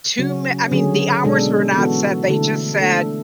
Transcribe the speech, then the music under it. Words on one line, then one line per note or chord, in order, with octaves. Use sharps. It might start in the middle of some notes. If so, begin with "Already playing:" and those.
too man I mean the hours were not set they just said,
C#3 F#3 C#4 F#4
D3 F#3 C#4 G#4
B2 G#3 D4 A4
E3 B3 F#4 A4
D3 A3 E4 A4
A3 D4 A4